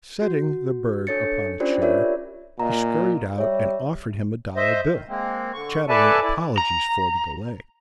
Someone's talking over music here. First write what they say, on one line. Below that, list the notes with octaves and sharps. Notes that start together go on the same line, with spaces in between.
Setting the berg upon a chair, he scurried out, and offered him a dollar bill, chattering apologies for the delay.
F#4
D4 A4 C#5 A6 C#7
C#4 D4 F4 G4 C5 D5
F4 G4 A#4 C#5 D5 E5
A#2 D#5 A#5
G3 C#5 E5
C5 D#5 E5
D#3
G#3 A#3 C4
D3 C#6
A4 B4 D5 E5 G#5 A5
E4 D5
A#5